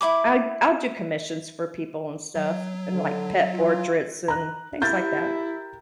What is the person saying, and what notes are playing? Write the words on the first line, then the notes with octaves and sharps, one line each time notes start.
then I I'll do commissions for people and stuff, and, like, pet portraits and things like that.
E4 C#5 B5 D6
F#3
D3
F4
A#5 F#6
E4 G4 A#4 G6 A6